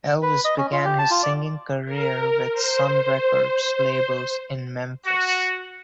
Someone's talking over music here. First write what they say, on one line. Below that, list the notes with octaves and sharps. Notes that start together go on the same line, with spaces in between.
Elvis began his singing career with Sun Records label in Memphis.
B4
D#5
C#4
F4
G4
A5
F4
D5
A#4
C5
F#4